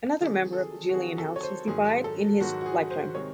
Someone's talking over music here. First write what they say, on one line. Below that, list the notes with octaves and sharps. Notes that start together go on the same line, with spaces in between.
Another member of the Julian house was deified in his lifetime.
C3 D#3 F#3 G#4
A4
G#4
F#4
C3 D#3 F#3 G#4
A4
C#5
C5
G#2 D#3 F#3 G#4
A4
G#2 D#3 F#3 F#4
F#4
G#4
C5
C3 D#3 G#3 C4 C#5